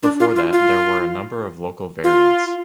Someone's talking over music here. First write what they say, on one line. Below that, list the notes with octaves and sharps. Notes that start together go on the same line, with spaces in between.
Before that, there were a number of local variants.
D4
F4
F4
F4
F4